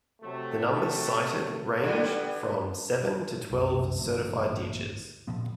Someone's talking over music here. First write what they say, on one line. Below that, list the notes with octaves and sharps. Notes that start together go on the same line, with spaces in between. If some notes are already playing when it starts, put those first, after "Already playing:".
The numbers cited range from seven to twelve certified teachers.
C3 F#3 A3
D3 G3 B3
C2 F#2
A1 D2 G2 A#2
A#2 D3 F3 B3